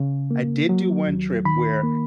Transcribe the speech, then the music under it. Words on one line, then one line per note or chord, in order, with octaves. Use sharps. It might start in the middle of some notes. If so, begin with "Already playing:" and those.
I did do one trip where
Already playing: C#3
A#3
F#3
D#2
D#3 B5
A#3